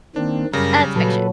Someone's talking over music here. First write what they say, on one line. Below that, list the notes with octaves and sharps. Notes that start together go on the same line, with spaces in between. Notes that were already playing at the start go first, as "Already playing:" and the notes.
Uh it's fiction.
D#3 A#3 C4 D4
F#2 C#3 G3 A#4 A#6
A#2 F#3 A4 B4